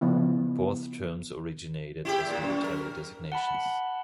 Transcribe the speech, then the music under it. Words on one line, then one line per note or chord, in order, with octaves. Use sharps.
Both terms originated as military designations.
C#3 F3 B3 E4
E4 F#4 G4
A#2 A#3
F#2
A#4
F#5 A5 B5